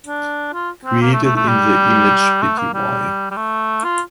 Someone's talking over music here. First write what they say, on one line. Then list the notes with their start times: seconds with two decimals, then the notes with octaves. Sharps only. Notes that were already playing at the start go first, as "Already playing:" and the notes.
Created in the Image Pty.
0.06 D4
0.53 F4
0.85 C4
1.01 A#3
1.13 A3
1.24 A3
1.36 A3
1.48 G3
2.42 A3
2.58 A#3
2.74 G3
3.31 G3
3.37 A3
3.84 F4